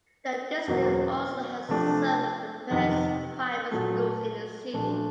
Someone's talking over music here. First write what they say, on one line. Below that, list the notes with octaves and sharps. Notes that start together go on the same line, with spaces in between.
The district also has some of the best private schools in the city.
E2 B2 F#3 A#3 C#4
C3 F3 A3 D4
F2 C3 D#3
A#2 F#3 A3
A#2 F3 A3 D4